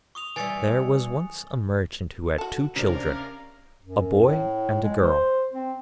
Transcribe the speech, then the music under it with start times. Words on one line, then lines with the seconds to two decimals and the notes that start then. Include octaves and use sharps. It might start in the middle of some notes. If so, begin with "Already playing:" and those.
There was once a Merchant who had two children, a boy and a girl.
0.15 C#6 D#6 F7
0.36 E3 G3 G#5 A6 C#7
2.38 F#4 A4
2.76 C3 C#4 D4 A#4 D5 F5
3.82 F#2
4.25 A2
4.82 G#3
5.02 C5
5.53 C4